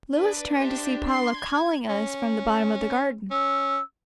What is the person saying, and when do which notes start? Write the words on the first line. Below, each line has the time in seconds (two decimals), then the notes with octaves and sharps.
Louis turned to see Paula calling us from the bottom of the garden.
0.17 D4 B4 D5
0.57 G4 C5 E5
1.08 C6 C7
1.41 G#6
1.89 C#4
3.31 C#4 E6